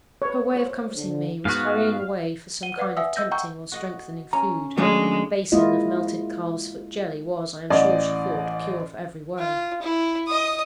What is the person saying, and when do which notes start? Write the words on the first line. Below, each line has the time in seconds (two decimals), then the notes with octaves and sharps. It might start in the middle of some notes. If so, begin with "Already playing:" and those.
Her way of comforting me was hurrying away for some kind of tempting or strengthening food--a basin of melted calves-foot jelly was, I am sure she thought, a cure for every woe.
0.22 B4 C#5
0.55 C5 C#5
0.96 D3
1.45 G#2 B3 F#4 F5
2.63 F#5 D#7 G7
2.77 B4 D5 F5 F#5 D6
2.97 E5 F#5 G#5 D#6 E6
3.16 D#5 E6 G6 A#6
3.31 F#5 G5 A#5 C#6 E6 G6
3.72 F#4 D#5 F#5
4.33 C#4 A#5
4.77 D#2 F#3 G#3 A3 C#4 D4 F5
5.52 G#3 A#3 E4 F4 D#5
7.70 A1 D5 D#5
9.39 F4
9.82 E4
10.28 D#5 D#6